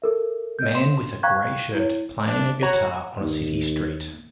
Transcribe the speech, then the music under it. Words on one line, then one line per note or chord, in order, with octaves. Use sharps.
Man with a gray shirt playing a guitar on a city street.
A4 A#4 E5
D#5 G6
C6 E7
F5 G5 A#5 C#6 F#6 G#6
E4 C#5
D4
F#4 C#5 A#5
D#2